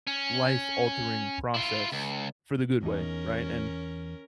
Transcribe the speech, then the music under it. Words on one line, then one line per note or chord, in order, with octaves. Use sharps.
life-altering process for the good way. Right, and
C#4
E4 F4
C#2
E2 C#4 D#4 A#4